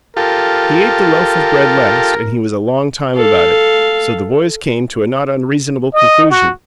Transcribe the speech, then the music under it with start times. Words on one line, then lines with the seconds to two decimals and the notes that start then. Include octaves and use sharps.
He ate the loaf of bread last and he was a long time about it; so the boys came to a not unreasonable conclusion.
0.17 F4 G4 A4 A#4
3.15 A4 F5
5.94 D#5
6.30 F#4